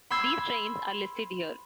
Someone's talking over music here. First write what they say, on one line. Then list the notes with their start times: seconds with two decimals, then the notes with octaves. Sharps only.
These trains are listed here.
0.11 B5 C6 E6 G#6